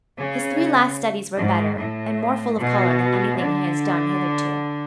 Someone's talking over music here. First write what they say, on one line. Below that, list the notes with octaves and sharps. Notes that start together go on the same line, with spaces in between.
His three last studies were better and more full of colour than anything he has done hitherto.
C#3
G#2
A2
B2
D3